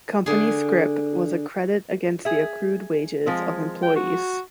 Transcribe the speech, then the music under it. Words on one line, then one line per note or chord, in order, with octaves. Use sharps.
Company scrip was a credit against the accrued wages of employees.
D3 G#4
G#4 E5
F3 G#3 C4
G5
F#4